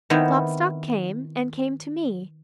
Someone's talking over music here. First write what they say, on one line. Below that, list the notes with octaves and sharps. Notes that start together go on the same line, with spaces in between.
Klopstock came, and came to me.
D#3 B3 C4 E4